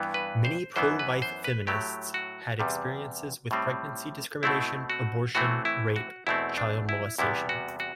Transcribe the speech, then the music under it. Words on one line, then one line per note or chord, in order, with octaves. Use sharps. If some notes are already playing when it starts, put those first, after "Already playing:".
Many pro-life feminists had experiences with pregnancy discrimination, abortion, rape, child molestation.
Already playing: G2 E3 B3
B4
C5
F#2 E3 B3 C5
B4
C5
B4
A2 F#3 A3 G4
F#4
E2 C3 G3
A2 G3 C4
B2 A3 C4 E4
F#4
A2 E3 A3 C4 F#4
E4
F#4
E2 B2 A3 C4 E4
D4
E4
E2 C3 G3 B3 E4
F#4
F#4